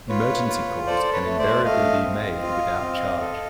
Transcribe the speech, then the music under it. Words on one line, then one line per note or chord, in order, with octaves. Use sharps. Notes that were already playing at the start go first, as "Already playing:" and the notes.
Emergency calls can invariably be made without charge.
F4 B4 C#5
F4
A4 C5 D5
B4 C#5
A3
C5 D5
A3 D#5 F5
C4
F4
C4
A4